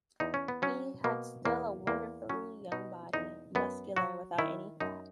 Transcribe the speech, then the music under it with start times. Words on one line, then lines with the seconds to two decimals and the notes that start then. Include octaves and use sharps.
He had still a wonderfully young body: muscular, without any fat.
0.20 E2 D#4
0.34 C#4
0.48 B3
0.62 F#3 C#4
1.04 B2 A#3
1.45 E2 A#3
1.87 E2 A#3
2.30 F#3 C#4
2.72 B2 D#4
3.13 E2 D#4
3.55 F#2 B3
3.96 F#3 F#4
4.38 D#3 E4
4.80 F#2 D#4